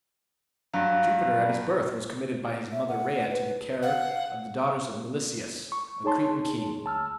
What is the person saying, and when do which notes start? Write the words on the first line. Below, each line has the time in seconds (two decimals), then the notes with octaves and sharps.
Jupiter at his birth was committed by his mother Rhea to the care of the daughters of Melisseus, a Cretan king.
0.74 G2 F#3 F5
2.72 E5
2.88 F#5
3.30 B4
3.83 F5 F#5
5.72 C#6
6.04 D#4 G#4 C#5 A5 C6
6.84 D2 A5 E6 F6